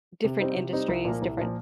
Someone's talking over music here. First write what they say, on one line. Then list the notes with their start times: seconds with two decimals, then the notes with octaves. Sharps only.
different industries, different
0.24 C3
0.39 G3 C4 D#4
0.56 C3
0.73 G3 C4 D#4
0.88 C2
1.05 A#2 F3 A#3
1.22 C2
1.38 A#2 F3 A#3